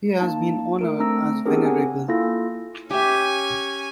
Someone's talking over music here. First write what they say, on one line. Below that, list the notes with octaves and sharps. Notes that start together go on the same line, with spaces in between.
He has been honored as 'Venerable.
A#3 D#4 A5
A3 A#4 D7
A3 C4 D4 A#5 E6 A#6
B3 C4 D4 G4 G#4 A#4
F#5 G#5
A#3 E4 F4 A4 A#6
C#4 G4 E5 G#5